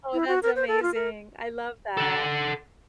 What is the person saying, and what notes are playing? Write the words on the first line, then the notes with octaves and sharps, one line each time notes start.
Oh, that's amazing, I love that.
E4
F#4
A#4
C5
A4
F4
A#4
A4 F#5